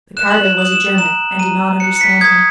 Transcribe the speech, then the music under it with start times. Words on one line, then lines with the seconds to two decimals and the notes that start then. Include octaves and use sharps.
The carter was a German and did not understand him.
0.17 F#6 E7
0.31 F#7
0.44 E7
0.58 D#6 F#7
0.72 E7
0.98 A#5 E7
1.39 A#5 D#7
1.80 F#6 C#7
1.96 C#7
2.01 B6
2.21 D#6 G#6